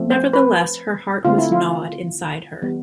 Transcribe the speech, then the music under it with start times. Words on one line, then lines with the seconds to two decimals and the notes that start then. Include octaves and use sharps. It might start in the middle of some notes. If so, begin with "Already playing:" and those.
Nevertheless her heart was gnawed inside her.
Already playing: F3 A3 C4
0.10 C5
0.33 B4
1.25 D3 A3 C4 F4
1.38 E4
1.52 F4
2.62 E3 G3 B3